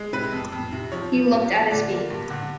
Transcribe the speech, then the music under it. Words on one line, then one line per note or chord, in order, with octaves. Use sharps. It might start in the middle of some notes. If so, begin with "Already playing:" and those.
He looked at his feet.
Already playing: G#3
C3 B4
F2
F2
C3
F3 C#5
F3
G2
F3
D3 D5
A#3
G2
D3